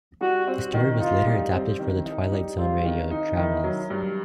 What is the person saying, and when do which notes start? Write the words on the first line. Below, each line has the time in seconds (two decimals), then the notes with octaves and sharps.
The story was later adapted for The Twilight Zone Radio Dramas'.
0.21 G3 F#4
0.47 C4
0.74 D#3
1.00 D#4 F4
1.26 G3
1.53 C4
1.79 D#3
2.05 D#4
2.32 G3
2.58 C4 F4
2.85 D#3
3.11 D#4
3.37 D#3 E4
3.64 F#3
3.90 G2